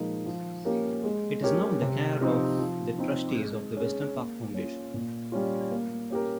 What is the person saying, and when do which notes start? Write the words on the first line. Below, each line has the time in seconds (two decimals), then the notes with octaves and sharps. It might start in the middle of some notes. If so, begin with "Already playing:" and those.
It is now in the care of the trustees of the Weston Park Foundation.
Already playing: A#2 F3 G#3 D#4 A#4
0.26 F3
0.65 A#3 C#4 G4 A#4
1.04 G#3
1.42 C#4 G4 A#4 C#5
1.82 C3
2.20 F3 C4 D#4 G4
2.59 F3
2.99 C4 D#4
3.38 G#3
3.77 C#4 G#4
4.15 A#3
4.54 C#4 F4
4.94 A#2
5.32 G3 C#4 F4
5.71 A#3
6.10 C#4 G4 A#4